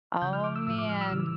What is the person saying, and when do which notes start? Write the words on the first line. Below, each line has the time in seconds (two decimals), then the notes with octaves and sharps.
oh man.
0.22 C#3 F3 G6
0.33 F6
0.44 D6
0.56 E6
0.67 A2 F3 E6
0.79 D6
0.89 F6
1.01 E6
1.12 C#3 E3 G3 E6